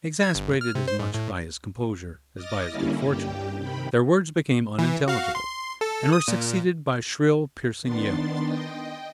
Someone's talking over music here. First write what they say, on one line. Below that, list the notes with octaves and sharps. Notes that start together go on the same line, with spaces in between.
Exasperated as much by his composure as by his good-fortune, their words became unintelligible, and were succeeded by shrill, piercing yells.
G#6
G1
F6
C3
C5
G#2
A2
D#5 D6 D#6 F6 A6 A#6
D3 G3 A#3 C#4 E4
G2 G4 G5
C3 D#3 G5 B5
E3
F#4 F5
C6
A4
D#6
A#2
D#3 B3 D4 C6 A6
D#5 G5